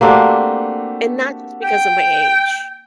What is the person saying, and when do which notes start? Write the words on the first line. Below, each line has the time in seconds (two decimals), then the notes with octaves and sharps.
and not just because of my age.
0.01 A3 A#3 C4 D4 F#4 G4
1.63 G5